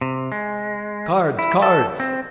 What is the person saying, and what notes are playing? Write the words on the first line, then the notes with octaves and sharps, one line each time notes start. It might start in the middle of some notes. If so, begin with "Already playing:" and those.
Cards! cards!
C3
G#3
E4
A4
C4